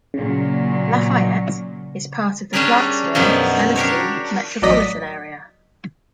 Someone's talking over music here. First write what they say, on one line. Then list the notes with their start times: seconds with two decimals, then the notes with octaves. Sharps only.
LaFayette is part of the Clarksville, Tennessee metropolitan area.
0.14 A#2 C#3 F#3
2.53 G3 C#4 D4 G4 G#4 A#4
3.15 F#2 B2 D#3 F3
3.76 D4 G4 A#4 C#5
4.62 A1 F#3 D5 D#5 B6